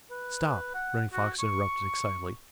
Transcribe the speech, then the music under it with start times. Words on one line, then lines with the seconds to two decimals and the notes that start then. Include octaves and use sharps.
"Stop!" Running Fox interrupted, excitedly.
0.11 B4
0.74 F#5
1.13 F#4
1.39 C#6